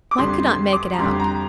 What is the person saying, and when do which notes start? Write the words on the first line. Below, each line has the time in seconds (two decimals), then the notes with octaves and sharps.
Mike could not make it out.
0.11 D6
0.18 F2 D3 G3 C6
0.46 C6
0.73 D6
0.94 A#5
0.99 F2 D3 G3 C6
1.20 A#5